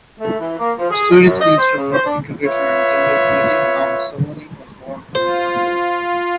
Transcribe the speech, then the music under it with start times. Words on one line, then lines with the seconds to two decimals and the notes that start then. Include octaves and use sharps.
The Swedish Minister for Integration and Gender Equality, Nyamko Sabuni, was born in Burundi.
0.20 A3
0.39 E3
0.59 A#3
0.79 F3
0.90 G#4
1.10 D#5
1.23 F#2
1.41 D#5
1.58 C5
1.77 C#3
1.92 C5
2.06 D4
2.45 F4 B4 C#5 E5
5.15 F4 C5